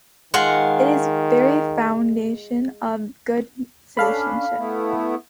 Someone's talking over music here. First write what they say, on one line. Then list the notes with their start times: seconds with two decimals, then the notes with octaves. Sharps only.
It is the very foundation of good citizenship.
0.34 D#3 G#3 F4 F#5
3.97 C#4 D4 A4 F5 B5
4.57 A3 B3 E4